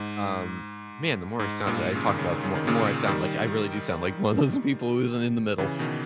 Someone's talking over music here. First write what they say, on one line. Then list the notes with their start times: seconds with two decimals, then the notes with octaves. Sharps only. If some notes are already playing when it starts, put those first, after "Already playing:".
Um, man, the more I sound that I talk about, the more more I sound like I really do sound like one of those people who isn't in the middle.
Already playing: G#2
1.39 G#2
1.67 G2 A#2
1.95 C#3
2.07 D#3
2.19 C#3
2.32 D#3
2.43 C#3
2.55 D#3
2.67 A#2 C#3
3.07 D#3 G3
5.58 C#3 E3
5.79 B2 D#3